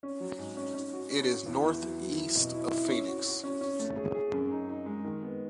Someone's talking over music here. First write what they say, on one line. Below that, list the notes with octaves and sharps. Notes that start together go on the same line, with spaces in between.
It is northeast of Phoenix.
C#4
F#3
G#2
C#4
C#4
F#4
C#4
F#4
E2
E2
F#3
F#3
E4
B2
E4
E4
C#4
F#4
F#4
C#4
C#4
A3
G#4
G#4
F#2
D#4
D#4
G#3
D#3
B3